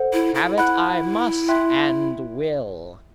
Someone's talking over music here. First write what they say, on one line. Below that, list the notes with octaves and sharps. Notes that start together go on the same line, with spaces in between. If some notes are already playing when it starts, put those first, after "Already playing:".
Have it I must, and will!'
Already playing: A4 C5 F#5
E4
E4
E4 F#5 B5 F#6
E5 G5 C6 F#6